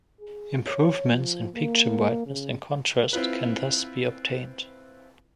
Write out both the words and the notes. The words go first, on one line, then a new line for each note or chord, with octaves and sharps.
Improvements in picture brightness and contrast can thus be obtained.
G#4
C#5
F3
A#3
C#3
C4 E4 F4 B4